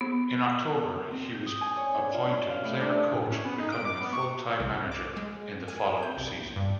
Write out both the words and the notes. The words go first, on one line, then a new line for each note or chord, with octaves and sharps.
In October he was appointed player-coach, becoming a full-time manager in the following season.
B3
C4
G6
D#6
G#5
C#5
D4
F4
C#4
F5
A2
D4
A2
C#4
B3
D#4
D7
D6
B3
C#6
C2
D6
G#3
G#5
G6
C2
G2